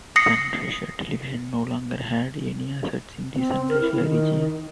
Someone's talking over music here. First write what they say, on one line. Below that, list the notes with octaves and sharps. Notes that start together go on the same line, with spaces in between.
Sunraysia Television no longer had any assets in the Sunraysia region.
D#6 A#6 C7 C#7
C4
A#4
E4
D#3